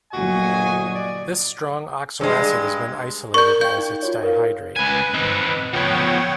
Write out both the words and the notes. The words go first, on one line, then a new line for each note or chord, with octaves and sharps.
This strong oxoacid has been isolated as its dihydrate.
G1 A#2 F#3 F#4 D#5 G#5
D5
G2 G#3
A#4 D5 A#5 C#6 G6
F5 G5 G6
D#4
F4 F#4 C#5
A#4 B4 F5
C#2 B4 G#5
C4 D#4
F3 B3 C#5 F#5 G5